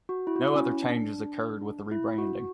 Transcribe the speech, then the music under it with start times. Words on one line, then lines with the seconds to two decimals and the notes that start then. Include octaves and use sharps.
No other changes occurred with the rebranding.
0.09 F#4
0.27 E4
0.36 F#4
0.44 E4
0.55 C#4
0.83 D4
1.92 E4
2.18 F#4